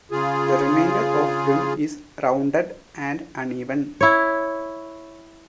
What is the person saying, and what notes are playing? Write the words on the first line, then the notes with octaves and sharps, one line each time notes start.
The remainder of rim is rounded and uneven.
C#3 F4 G#4
E4 C#5